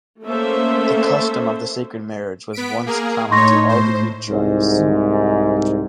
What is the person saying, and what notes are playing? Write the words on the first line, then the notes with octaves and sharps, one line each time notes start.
The custom of the sacred marriage was once common to all the Greek tribes.
A3 A#3 C#4 A4 C5 E5
B3 B6 D7
A#3 G#4 A#4
A2 D#4 C#5 C6 C#6 A#6
C5
C2 G#2